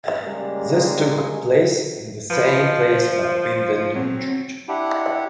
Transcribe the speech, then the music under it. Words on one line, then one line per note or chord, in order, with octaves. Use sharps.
This took place in the same place but with a new judge.
C#3 G3 G#3 A#3
F3 B4
D#5
C5
F#3 C4
D4 E4 G4 F#5